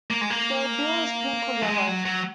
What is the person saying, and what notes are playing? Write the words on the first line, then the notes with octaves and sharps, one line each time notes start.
Their bill is pink or yellow.
A#3
G#3
A#3
F#3
G#3
F#3
F#3